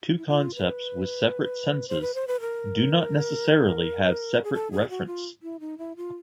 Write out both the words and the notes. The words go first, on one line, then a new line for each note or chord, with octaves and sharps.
Two concepts with separate senses do not necessarily have separate referents.
E4
F4
B4
C5
B4
C5
B4
A#4
G#4
A4
G#4
F#4
F4
E4
D#4
E4
F4